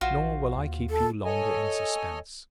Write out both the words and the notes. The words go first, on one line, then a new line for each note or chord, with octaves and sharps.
Nor will I keep you longer in suspense.
A#1 F4 F#4 C5
D#2
A4
A4 C#5 D#5 G#5